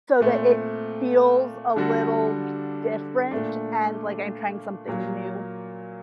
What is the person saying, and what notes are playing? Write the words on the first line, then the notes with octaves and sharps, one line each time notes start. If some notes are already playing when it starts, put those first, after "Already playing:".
so that it feels a little different and, like, I'm trying something new,
A#2 A3 C4
D3 G3 D4 F#4 A4
A#2 A3 D4
A#2 F#3 A#3